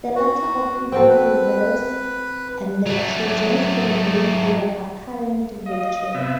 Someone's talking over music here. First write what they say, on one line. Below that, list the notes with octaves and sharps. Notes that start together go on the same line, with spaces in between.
The latter opinion prevails, and the Trojans celebrate their apparent victory.
F#4
C4 F#4 A4 G5
B4
F#3 A3
D#5 F5
C3 B3 E5